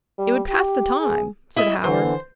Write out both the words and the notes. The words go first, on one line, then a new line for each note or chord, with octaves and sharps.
"It would pass the time," said Howard.
G3
G4
G#4
E4 D#5 E5
D3 E3 C5